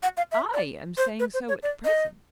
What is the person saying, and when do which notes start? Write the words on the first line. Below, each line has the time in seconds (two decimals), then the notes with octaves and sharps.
"I am saying so at present."
0.03 F#5
0.17 F5
0.32 E5
0.54 D5
0.97 C5
1.20 B4
1.34 C5
1.48 C#5
1.63 D5
1.85 D#5